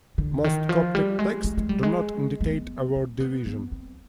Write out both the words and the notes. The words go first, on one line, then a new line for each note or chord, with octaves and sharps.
Most Coptic texts do not indicate a word division.
D3
D#3
F3
G3
G#3
G#3
G#3
G3
G#3
G#3
B3
C4
B3
B3
C4